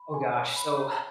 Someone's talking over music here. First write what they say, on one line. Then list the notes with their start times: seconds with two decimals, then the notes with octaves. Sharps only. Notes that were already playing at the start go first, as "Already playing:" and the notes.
Oh gosh, so,
Already playing: B5
0.14 G#5
0.34 C#5
0.56 B5
0.77 C#5